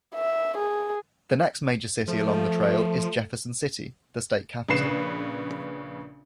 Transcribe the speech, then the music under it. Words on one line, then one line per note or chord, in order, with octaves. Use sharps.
The next major city along the trail is Jefferson City - the state capital.
E5
G#4
F3 A3
A#1 C#3 B4 C7 E7